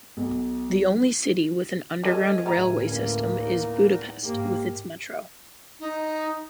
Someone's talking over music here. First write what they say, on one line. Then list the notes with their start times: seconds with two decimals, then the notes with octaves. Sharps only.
The only city with an underground railway system is Budapest with its Metro.
0.17 B1
2.03 C#2 G4 A4 D#5 F5 G#5
2.46 D2 A2 D5 E5 A#5
2.87 G2 E3 A#3 C#4
3.35 E2 D#4
4.24 G#2 A#3 G4
5.80 D#4